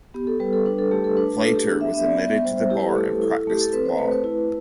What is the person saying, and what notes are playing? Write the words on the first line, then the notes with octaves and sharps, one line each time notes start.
Plater was admitted to the bar and practiced law.
B3 G4
A4
G3 B4
A4
D4 B4
A4
A3 G4
A4
D4 B4
A3 A4
G4
D4
E5
B3 E5
D5
B3 E5
G3 C5
C5
E4 G4
B4
A4
A3 G4
A4
E4 A4
A3 G4
A4
C4 B4
C5
A3 B4
B4
E4